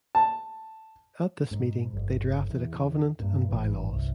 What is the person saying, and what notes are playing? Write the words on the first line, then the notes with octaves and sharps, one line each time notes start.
At this meeting, they drafted a covenant and bylaws.
A5
G#2
G1 F2
E2
G2 A#2
G#1 A2 E3
G1 C2